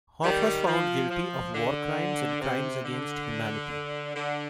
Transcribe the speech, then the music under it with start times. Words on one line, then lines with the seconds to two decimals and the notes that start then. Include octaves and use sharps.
Hoth was found guilty of war crimes and crimes against humanity.
0.23 D#3 G3
0.66 F3
1.10 F3
1.54 D3
2.40 C3
2.84 D3
4.15 D3